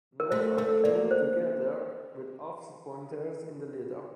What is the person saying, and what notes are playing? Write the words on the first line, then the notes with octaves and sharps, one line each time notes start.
Nodes are chained together with offset pointers in the header.
A#4
A3 C5
A3 A#4
A#3 D5
C5